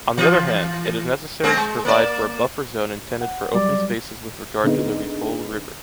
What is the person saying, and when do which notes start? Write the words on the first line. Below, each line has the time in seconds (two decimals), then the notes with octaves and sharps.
On the other hand, it is necessary to provide for a buffer zone intended for open spaces with regard to the Ripoll River.
0.18 E3 F4
1.44 G#3 A#3 C4
1.57 G#3
1.85 A#3 D5
3.21 F#5
3.54 F#3 G3 D5
4.63 D3 G#3 B3 C4 D#4